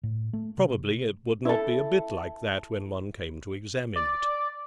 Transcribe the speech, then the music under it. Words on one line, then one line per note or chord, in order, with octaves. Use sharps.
Probably it would not be a bit like that when one came to examine it.
A2
A3
C3
E4 A4
D5